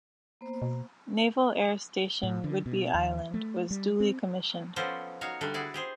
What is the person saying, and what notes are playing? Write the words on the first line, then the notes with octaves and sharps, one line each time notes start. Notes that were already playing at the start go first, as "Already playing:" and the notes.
Naval Air Station Whidbey Island was duly commissioned.
A#3 B3 C5
B2
A2
D3
B2
D#2
A3
G3
C4
F3 B3 C#4 A4 C5
D#4 F#4 C#5 F5
D3 G3 A3 D4
E4 F#4 G#4 D5
G4 G#4 C5